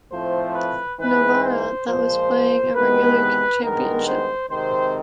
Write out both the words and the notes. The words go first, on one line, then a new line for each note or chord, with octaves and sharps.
Novara, that was playing a regular championship.
A2 F3 A3 C4 C5
B4
G#2 E3 G#3 C4 B4
C5
A#2 F3 G#3 C5
E2 C3 D#3 G#3 B3 B4
G2 D#3 G#3 B3 A#4
C5
C3 D#3 G#3 C4 C5